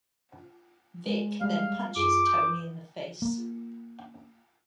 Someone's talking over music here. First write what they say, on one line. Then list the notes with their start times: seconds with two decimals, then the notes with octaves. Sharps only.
Vic then punches Tony in the face.
1.06 G#3
1.41 G3 G#3 F5
1.96 F#2 F4 G#4 D6
2.26 D#6 G6
3.22 A#3